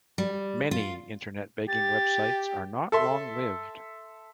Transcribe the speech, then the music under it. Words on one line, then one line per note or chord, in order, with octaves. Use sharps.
Many Internet begging websites are not long lived.
G3
F4
G4 A6
A4 E5 C6